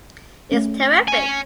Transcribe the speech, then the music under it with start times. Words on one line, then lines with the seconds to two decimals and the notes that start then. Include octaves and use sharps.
It’s terrific.
0.52 A3 C#4
1.08 C#5 G#5